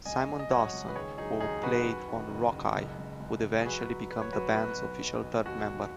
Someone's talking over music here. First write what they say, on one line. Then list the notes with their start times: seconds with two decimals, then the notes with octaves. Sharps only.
Simon Dawson, who played on "Rockeye", would eventually become the band's official third member.
0.05 C#2 D#5 G#5
0.28 C#2
0.39 D#5
0.50 F#3 C#5 F#5
0.73 C#2
0.88 B4
0.95 D#3 G#4 C#5
1.18 F#3 D#4 G#4
1.40 D#2 D#4 G#4
1.63 D#2 F#4 B4
1.85 F#2
2.08 D#3
2.30 F#1
2.53 F#2
2.75 C#2
2.98 C#2
3.20 C#2
3.43 C#2
3.61 G#4
3.65 F#3 F#4 B4
3.88 F#3
4.10 F#3 B4
4.22 C#5
4.33 F#3 F#4 B4
4.55 B2 F#4 B4
4.78 B1
5.00 B1
5.23 B1
5.45 D#2 F#4
5.68 D#2